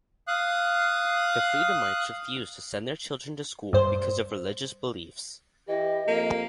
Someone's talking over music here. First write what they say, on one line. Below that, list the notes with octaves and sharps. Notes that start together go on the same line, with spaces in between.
The Freedomites refused to send their children to school because of their religious beliefs.
F5 D#6 F#6
G2 C5
E3 E4 G4 D#5
F2 A#3